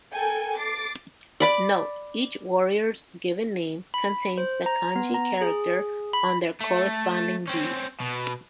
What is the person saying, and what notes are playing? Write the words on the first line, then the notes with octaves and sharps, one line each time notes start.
Note: each warrior's "given name" contains the kanji character on their corresponding bead.
A4 A#4 G5 G#5
D6 A6 C7
D5 B5 D6
B5
C5
A#5
B3
A#5
G#4
B5
A3
C4 C#4
B2